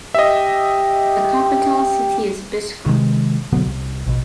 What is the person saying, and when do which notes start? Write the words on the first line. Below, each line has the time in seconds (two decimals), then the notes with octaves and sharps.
The capital city is Biskra.
0.14 G4 D#5 E5
2.86 C3 D#3 G#3
3.52 B2 D3 F#3 B3
3.66 C2
4.06 A#1 B2